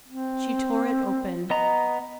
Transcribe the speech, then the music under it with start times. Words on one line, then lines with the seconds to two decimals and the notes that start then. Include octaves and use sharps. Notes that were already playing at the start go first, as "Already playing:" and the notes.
She tore it open.
0.08 C4
1.50 B3 D#5 A#5